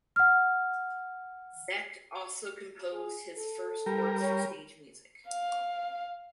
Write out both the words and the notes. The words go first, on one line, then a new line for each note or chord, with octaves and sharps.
Zech also composed his first works for stage music.
F#5 F6
G#4
A4
G3 A#4
C#5
F5